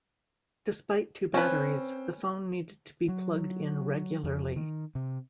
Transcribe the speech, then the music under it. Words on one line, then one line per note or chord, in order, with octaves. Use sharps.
Despite two batteries, the phone needed to be plugged in regularly.
C4 C#4 B4
F#3
F2
D#3
C3